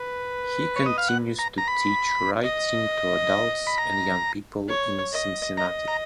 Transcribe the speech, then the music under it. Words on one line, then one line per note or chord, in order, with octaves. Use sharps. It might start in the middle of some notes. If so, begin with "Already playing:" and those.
He continues to teach writing to adults and young people in Cincinnati.
Already playing: B4
C#5
D#5
F5
F#5
A#5
A#5
B5
D#5
B5
A#5
C#5
D#5
D#5 A#5
A#5